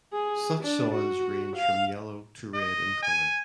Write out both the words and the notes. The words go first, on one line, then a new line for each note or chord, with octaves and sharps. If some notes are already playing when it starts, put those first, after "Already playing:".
Such soils range from yellow to red in colour.
G#4
D4
F#4
F5
D#5
G#5